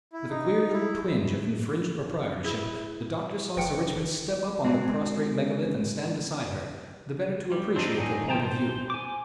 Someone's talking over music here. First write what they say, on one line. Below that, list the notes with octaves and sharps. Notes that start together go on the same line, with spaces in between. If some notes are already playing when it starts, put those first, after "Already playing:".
With a queer little twinge of infringed proprietorship, the doctor saw Sir Richmond step up on the prostrate megalith and stand beside her, the better to appreciate her point of view.
E4
D#4
E4
E4 G#4
F1 B4 G5 C#7
G#3 C4 F#4
G3
C4 D4 D#4
D#3 F#3 D#4 G#4
E3 F3 G5 A5 A#5
C5
G#5 D6